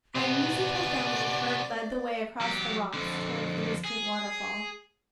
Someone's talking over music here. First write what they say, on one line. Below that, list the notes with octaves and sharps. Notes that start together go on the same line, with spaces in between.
And musing profoundly, Kurt led the way across the rocks towards the distant waterfall.
C3 B3 D5
F#3 G4
F2 D3
G#4